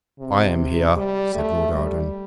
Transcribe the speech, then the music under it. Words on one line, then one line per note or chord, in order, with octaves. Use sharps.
"I am here," said Lord Arden.
C3
G3
A3
G3